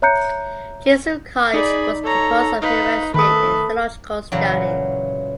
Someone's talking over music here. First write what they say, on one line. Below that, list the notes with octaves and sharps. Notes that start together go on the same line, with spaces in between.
Jesuit College was composed of humanistic and theological studies.
C#5 E5 A#5 F#6 G6 C#7
D#4 G#4 D5 B5
A4 C#5 A#5
D#4 B4 F5
D#3 A3 A4 B4 B5 D#6
A#2 C#3 E3 F#3